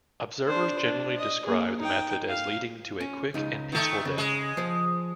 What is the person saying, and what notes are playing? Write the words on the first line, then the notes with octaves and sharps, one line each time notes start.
Observers generally describe the method as leading to a quick and peaceful death.
D4 C5
D4
D#5
A#3 G#4
D#4 G5
F5
C#4
C#2 D#4
D#3 A3
C#3
G#3
F3 C5